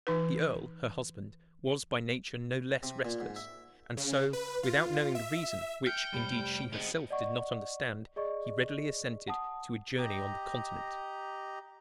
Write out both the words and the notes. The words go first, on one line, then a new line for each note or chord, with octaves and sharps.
The earl, her husband, was by nature no less restless; and so, without knowing the reason--which, indeed, she herself did not understand--he readily assented to a journey on the Continent.
E3 D#4 B4
C3
A#2
G#2
E5
C#3
B4
F4
E5
G5 F6 G6 C#7
F1 G3 B5
A2 G#3 B3 C4
D5 D#5 F#5 C#6
G#4 D5 D#5 C#6
F#5 A5 D#6
G4 D#5 A#5